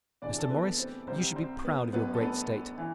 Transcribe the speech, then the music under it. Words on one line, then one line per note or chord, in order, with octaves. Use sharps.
Mr. Morris, you should be proud of your great state.
E2 C3 E3 D4 D5
A4
B3 B4
C4 C5
C2 C3 G3 C4 C5
C4 C5
B3 B4
G1 F#2 F#3 B3 B4
A4
B3 B4
E3